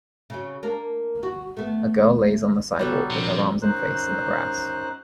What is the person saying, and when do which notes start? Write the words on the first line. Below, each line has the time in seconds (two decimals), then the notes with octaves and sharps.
A girl lays on the sidewalk with her arms and face in the grass.
0.30 C#3 F#3
0.63 A#3 D4 A#4
1.23 F#4
1.57 A3 B3
2.79 F#3 G3 B3 A4
3.10 A#1 C3
3.62 F#2 D#4 C5 F#6